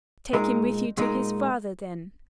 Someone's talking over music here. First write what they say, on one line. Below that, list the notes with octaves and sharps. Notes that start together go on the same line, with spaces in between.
"Take him with you to his father then."
A#2 G#3 D#4 A#4
A#2 G#3 D#4 A#4